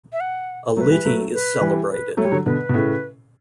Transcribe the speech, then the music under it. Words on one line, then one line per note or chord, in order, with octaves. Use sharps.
A Lity is celebrated.
E5
F#5
F#3 A3 C#5
B4
E3 G3
F#3 A3
B4
E3 G3
B4
F#3 A3 C#5
G3
D3 F#3
B2 D3 B4
B2
A2 C#3